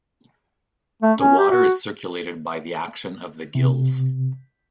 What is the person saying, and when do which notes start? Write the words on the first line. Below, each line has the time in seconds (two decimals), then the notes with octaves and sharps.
The water is circulated by the action of the gills.
1.03 A3
1.18 C#4
1.38 G4
1.50 F#4
3.55 C3